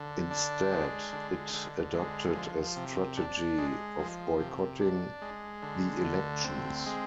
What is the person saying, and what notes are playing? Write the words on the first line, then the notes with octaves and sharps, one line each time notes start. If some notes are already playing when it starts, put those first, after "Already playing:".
Instead, it adopted a strategy of boycotting the elections.
Already playing: D3
D4
G#3
D3
D3
G#3
F3
C3
D4
G#3
F3
C3
D4
G#3
D3
D2
C4
G#3